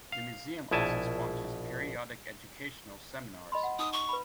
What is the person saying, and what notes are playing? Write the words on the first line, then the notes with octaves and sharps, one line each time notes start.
The museum also sponsors periodic educational seminars.
F5
A#1 B2 E4 G#5 A5
D#5 B5 C6
F#5
D#4 D#6
C#6
B4 B5